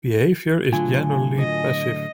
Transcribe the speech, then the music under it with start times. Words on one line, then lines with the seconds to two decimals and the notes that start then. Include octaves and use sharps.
Behavior is generally passive.
0.72 A2 D3 F#3 F4 G#5
1.39 D#5